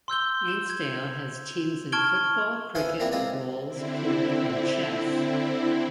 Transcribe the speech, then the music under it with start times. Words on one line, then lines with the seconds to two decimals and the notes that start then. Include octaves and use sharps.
Ainsdale has teams in football, cricket, bowls, pool and chess.
0.08 C6 E6 G6 G7
0.48 E7
0.66 C6 G#6
1.49 F7
1.92 A5 C#6 F6 G#6 D7 G7
2.75 G#4 B4 C5 E5 F5 G#5
3.00 A#3 C4 D4 E4 G4
3.12 G#3 C4 D#4 F4 D5
3.67 D3 C4 E4